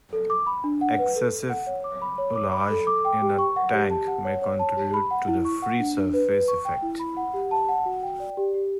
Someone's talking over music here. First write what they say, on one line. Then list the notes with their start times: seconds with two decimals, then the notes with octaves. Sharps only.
Excessive ullage in a tank may contribute to the free surface effect.
0.13 A4
0.30 D6
0.47 B5
0.64 D4
0.81 F#5
0.99 B4
1.16 A4
1.33 A4
1.50 F#5
1.67 C#5
1.84 D6
2.02 B5
2.18 C#5
2.36 D6
2.53 B5
2.70 A4
2.87 D6
3.05 G5
3.22 G4
3.39 C#6
3.56 F#5
3.73 G4
3.90 A5
4.08 F#5
4.25 C#5
4.42 C#5
4.59 A5
4.77 G4
4.94 B5
5.11 F#5
5.28 E4
5.45 C#6
5.62 F#5
5.79 D4
5.96 D4
6.14 B4
6.31 B4
6.48 C#6
6.65 G5
6.82 E4
7.00 B5
7.17 F#5
7.34 G4
7.51 A5
7.68 F#5
7.86 F#4
8.03 G5
8.20 D5
8.37 G4
8.54 G4